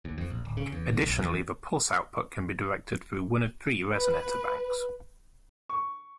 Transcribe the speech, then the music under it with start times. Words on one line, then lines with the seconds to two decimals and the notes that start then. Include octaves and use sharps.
Additionally, the pulse output can be directed through one of three resonator banks.
0.05 D#2
0.18 F2
0.30 A#1
0.45 D1
0.57 C#3
0.72 E2
0.89 D2
1.04 B1
1.18 E2
3.94 B4
5.69 C#6